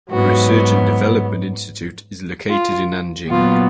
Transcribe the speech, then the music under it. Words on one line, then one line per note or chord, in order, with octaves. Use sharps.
A research and development institute is located in Nanjing.
G#2 F#3 B3 F#4
F4
A#2 F#3 B3 F4